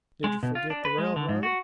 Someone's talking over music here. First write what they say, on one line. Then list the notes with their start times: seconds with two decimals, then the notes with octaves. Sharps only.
Did you forget the railroad?
0.24 G#3
0.43 B2
0.55 F4
0.70 D4
0.85 B4
0.98 G#3
1.16 D3
1.29 G#2
1.43 F#4